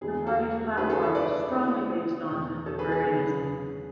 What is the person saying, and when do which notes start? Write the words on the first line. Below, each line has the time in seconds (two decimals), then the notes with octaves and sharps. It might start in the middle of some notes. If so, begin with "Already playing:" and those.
The party's platform is strongly based on agrarianism.
0.01 E2 D3 G#3 B3 G#4
0.27 F#4 A4
0.77 D3 A3 C#4 E4 G#4 B4
0.90 A4 C#5
1.03 C#5 E5
1.15 B4 D5
1.52 D3 A3 C#4 E4
2.28 E2 B2 A3 D4
2.66 A4 C#5
2.79 G#4 B4
2.91 G#4 B4
3.04 E2 C#3 F#3 C#4